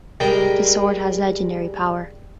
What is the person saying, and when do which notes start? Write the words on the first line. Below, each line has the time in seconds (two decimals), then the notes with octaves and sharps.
The sword has legendary power.
0.20 G3 G#3 G4 A#4